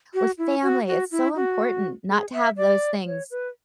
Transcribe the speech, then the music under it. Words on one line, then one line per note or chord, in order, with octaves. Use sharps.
with family, it's so important not to have those things
F#4
E4
F#4
F#4
E4
F#4
G#4
E5
D5
C#5
B4